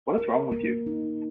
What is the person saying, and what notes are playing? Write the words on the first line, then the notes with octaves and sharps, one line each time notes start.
What is wrong with you?
A#4
A#3
D#4